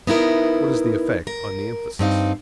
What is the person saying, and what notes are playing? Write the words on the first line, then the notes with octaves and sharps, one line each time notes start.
What is the effect on the emphasis?
B3 D#4 E4 A#4
A#4
G2 C4 D#4 F5